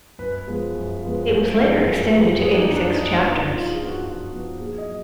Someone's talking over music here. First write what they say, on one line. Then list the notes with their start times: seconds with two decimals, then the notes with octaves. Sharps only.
It was later extended to eighty-six chapters.
0.19 F#2 B4
0.47 F3 G#3 B3
0.74 F#2
1.02 F3 G#3 B3
1.29 F#2
1.57 F3 G#3 B3
1.85 F#2
2.12 F3 G#3 B3
2.39 F#2 G#4
2.53 D4
2.58 D#4
2.68 F3 B3
2.76 D4
2.88 D4
2.95 F#2 D#4
3.22 F3 B3
3.50 F#2 F4
3.68 G#4
3.78 F3 B3 F4
3.87 F#4
4.05 F#2 F#4
4.32 F3 B3
4.60 A#2 G#4
4.78 D#5
4.87 F#3